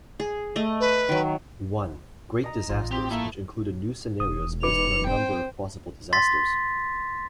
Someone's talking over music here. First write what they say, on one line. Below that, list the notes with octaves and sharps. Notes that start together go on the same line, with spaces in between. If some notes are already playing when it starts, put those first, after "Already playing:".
I: Great Disasters, which included new scenarios based on a number of possible disasters.
G#4
A3 D#5
B4
D#3 F#3
D#5 A#5
A1 A2 F4
C4 G4
A#3 E4 A4 E5
E1 D#6
D#4 B4 D6 C#7 F7
C4 C5 G5
C6 A6 B6